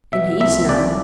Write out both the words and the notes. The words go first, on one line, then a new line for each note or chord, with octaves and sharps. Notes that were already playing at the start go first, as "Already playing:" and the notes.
And he's none.
B2 E5
C2 E5
C2 D5